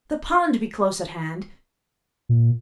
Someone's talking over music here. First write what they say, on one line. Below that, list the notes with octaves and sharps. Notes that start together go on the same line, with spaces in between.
The pond be close at hand.
A#2